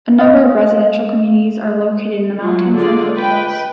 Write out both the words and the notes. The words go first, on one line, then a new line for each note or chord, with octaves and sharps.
A number of residential communities are located in the mountains and foothills.
D#5 F5
F#3 F4
D3 G#3 F4 D5
B4 G5